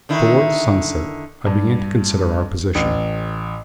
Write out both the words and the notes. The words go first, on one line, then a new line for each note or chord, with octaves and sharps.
Towards sunset I began to consider our position.
D3 D#3 E4
G2
A1